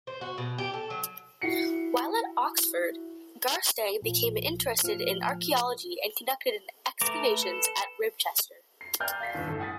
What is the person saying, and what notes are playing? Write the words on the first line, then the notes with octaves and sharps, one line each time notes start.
While at Oxford, Garstang became interested in archaeology and conducted excavations at Ribchester.
C5
F#4
B2
G4
A4
F#3
E4 F#4 C7 C#7
A#1 F3
A2 F3 F6
A3 B4 A#5 D6
A4
C7
A#4 D5 G5 G#5 F6 G6
F5 A6 B6 C7
G1 D#2
A1 A4
F#5 G#5 D#6 A6 B6